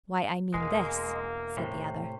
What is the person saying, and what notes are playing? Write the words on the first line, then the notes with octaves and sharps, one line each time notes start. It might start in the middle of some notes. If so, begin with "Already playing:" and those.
"Why, I mean this," said the other.
E1 G#3 A#3
A2 C3